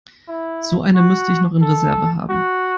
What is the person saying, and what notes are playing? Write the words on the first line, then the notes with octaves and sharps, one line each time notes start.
So eine müsste ich noch in Reserve haben.
E4
F#4
A4
F#4